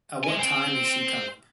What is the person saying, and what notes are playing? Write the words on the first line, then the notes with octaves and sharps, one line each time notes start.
At what time is she coming?
G#3 G#5
C5 G5